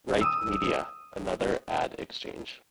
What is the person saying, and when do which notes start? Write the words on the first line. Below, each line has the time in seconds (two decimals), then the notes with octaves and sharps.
Right Media, another ad exchange.
0.21 D#6 E6